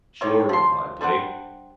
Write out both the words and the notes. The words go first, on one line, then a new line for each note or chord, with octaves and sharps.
"Sure," replied Blake.
D#3 C4 G4 C#5
F3 C6
G3 D4 C5 F#5